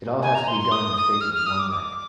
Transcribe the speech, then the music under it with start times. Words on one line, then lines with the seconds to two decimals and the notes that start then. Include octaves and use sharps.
It all has to be done in the space of one night.
0.23 G#5
0.35 A#5
0.48 C6
0.60 C6
0.72 D#6
0.97 D#6
1.21 F6
1.35 F6
1.46 D#6
1.59 D6
1.72 D6